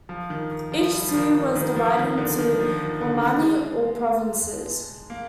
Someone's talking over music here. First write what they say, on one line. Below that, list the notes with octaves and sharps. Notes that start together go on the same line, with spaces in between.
Each "suyu" was divided into "wamani", or provinces.
F3
D#3
D#3
F3
G3
F3
D#3
D#3
D#3
F3
D#3
D3
D#3
F3
D#3
D3
D#3
G#3
A#3